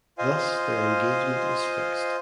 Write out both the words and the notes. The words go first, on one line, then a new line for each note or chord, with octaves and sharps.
Thus their engagement is fixed.
F4 C5 D#5 F5 G#5